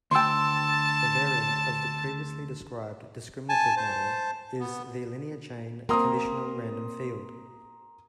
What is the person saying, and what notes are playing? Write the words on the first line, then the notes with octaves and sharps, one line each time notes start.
A variant of the previously described discriminative model is the linear-chain conditional random field.
D2 G5 A5 C6 E6
G#5 A5
C5 A5
B3
A#3 C4 A#5 C6 D#6